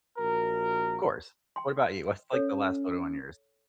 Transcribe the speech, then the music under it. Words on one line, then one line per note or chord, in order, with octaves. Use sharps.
Of course, what about you, what's, like, the last photo on yours?
A#1 F#4 A#4
G5 C6
C#4 A4 C#5